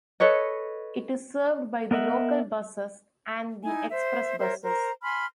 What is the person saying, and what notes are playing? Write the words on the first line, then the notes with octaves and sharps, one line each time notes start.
It is served by the local buses and the express buses.
A4 B4 C#5 D#5
B3 A#4 D#5 E5 F#5
D#4 E4 G#5
C5 E5
A#4 C5 C#5 E5
A#4 C5 A#5
G#5 B5 C6 F6